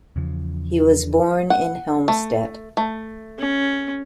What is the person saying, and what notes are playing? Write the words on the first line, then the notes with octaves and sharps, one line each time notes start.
He was born in Helmstedt.
E2 C#3 F3
F#5
A3
A3
C#4